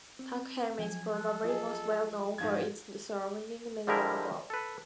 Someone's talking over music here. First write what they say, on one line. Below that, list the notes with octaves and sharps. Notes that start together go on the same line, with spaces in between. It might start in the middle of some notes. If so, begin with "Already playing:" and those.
Turckheim is probably most well known for its surrounding medieval wall.
C4
F3 F#3 G#5
A4 F#6
F4 G#4 D#5
G#2 F3 F#4 G#6
D3 F3 G3 G#3 E4 A#4
A4 B4